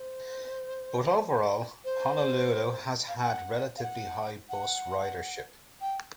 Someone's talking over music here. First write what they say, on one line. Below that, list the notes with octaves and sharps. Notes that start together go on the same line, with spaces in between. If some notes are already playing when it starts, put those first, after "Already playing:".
But overall, Honolulu has had relatively high bus ridership.
Already playing: C5
C5
F5
F#5
F5
F#5
F#5
G5